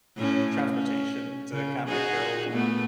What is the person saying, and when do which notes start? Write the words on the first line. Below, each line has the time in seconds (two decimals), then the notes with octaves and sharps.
transportation to kinda go
0.17 A2 C#4
0.71 C#4
1.52 C#3
1.88 D#4 F#4 G#4
2.51 A#2 A3 B3